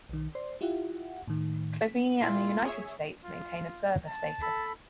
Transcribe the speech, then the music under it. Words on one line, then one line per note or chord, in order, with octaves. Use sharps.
Slovenia and the United States maintain observer status.
B1 D#3
C5 D5 C6
E4 F4 G4 E5 F#5
A2 D#3
A#2 E4 F4
G#4 C#5 E5
F4
A5
A4 B5